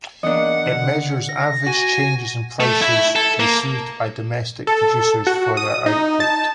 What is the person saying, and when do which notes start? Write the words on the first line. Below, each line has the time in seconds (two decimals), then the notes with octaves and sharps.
It measures average changes in prices received by domestic producers for their output.
0.23 E2 A#3 D4 D#5 F#5
0.66 D3
1.28 A#6
1.66 F#4 G#5 A#6
2.60 A3
2.81 E4 E5
3.16 A4
3.40 A#3
4.67 A4
5.27 F#4
5.57 D#6
5.86 D#4
6.20 A5